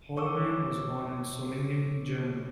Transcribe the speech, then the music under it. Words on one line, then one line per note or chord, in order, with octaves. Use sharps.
Hollmann was born in Solingen, Germany.
C#5 C#6 D6 E6